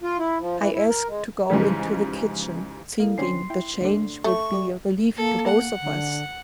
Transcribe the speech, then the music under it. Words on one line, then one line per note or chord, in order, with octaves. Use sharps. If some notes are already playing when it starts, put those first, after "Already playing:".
I asked to go into the kitchen, thinking the change would be a relief to both of us.
F4
E4
F3
E3
E4
A#4
G#3
G#2 C#3 E3 F3 G3
A#3 E4 A4 F5
D3 C4 C#4 C6 C7
E4 G5
D2 D3
A3 C#6
G4 D5
A#3 A4
F#5
D3